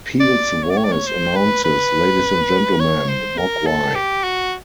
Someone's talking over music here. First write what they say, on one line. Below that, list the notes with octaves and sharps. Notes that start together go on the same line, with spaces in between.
Peel's voice announces Ladies and Gentlemen, Mogwai!
D5
C#5
D5
C#5
D5
C#5
C5
B4
B4
C#5
C5
A#4
A4
G4
F#4